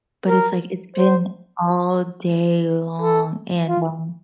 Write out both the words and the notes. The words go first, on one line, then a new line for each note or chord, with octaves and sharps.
but it's like it's been all day long and, um
A#4
C5
A4
F4